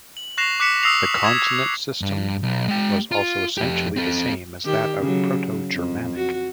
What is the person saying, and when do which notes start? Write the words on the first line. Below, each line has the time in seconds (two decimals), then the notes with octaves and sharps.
The consonant system was also essentially the same as that of Proto-Germanic.
0.17 F#7
0.38 C#6 F#6 A#6 C7 E7 F7
0.60 D6 F#6 B6 C#7 E7
0.83 D#6 E6 A#6 C7 F7
1.23 D#6 G#6 B6 E7
2.02 G2
2.43 B1
2.68 G#3 G5
3.12 F4
3.58 F2 G4
3.96 C4 A4
4.65 D#3 G4
4.99 C#3 F#3
5.74 F2
6.16 F#4